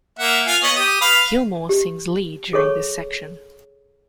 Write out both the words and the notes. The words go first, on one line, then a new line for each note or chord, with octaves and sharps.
Gilmour sings lead during this section.
A#3 E5 F#5
F4 F5 G#5
B3 C#5 D#5
G4 D#6
B4 F5 B5
G4
G#4 A4 C#5 C#6